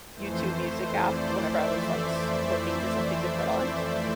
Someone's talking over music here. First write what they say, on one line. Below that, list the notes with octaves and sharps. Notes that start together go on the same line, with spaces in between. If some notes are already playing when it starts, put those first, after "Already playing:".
YouTube Music app whenever I was, like, s looking for something to put on,
F2 E3 A3 C5
D5
E5